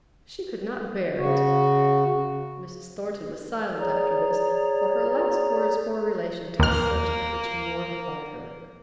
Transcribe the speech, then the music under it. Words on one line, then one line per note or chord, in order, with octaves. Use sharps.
She could not bear it.' Mrs. Thornton was silent after this; for her last words bore relation to a subject which mortified her.
C#3 F#4
G#4 C#5 D5 A#5
D#2 A#3 F6